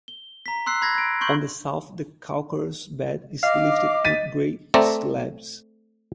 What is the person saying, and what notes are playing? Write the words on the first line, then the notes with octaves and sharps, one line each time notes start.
On the south, the calcareous bed is lifted in great slabs.
G7
A#5 B6
C6 E6 F#6 C7
B5 G#6 A#6
G#6 D7
C6 C#6 G6 F#7
D#5 F5 D6
A6 B6 D#7
A3 C4 D5 A#5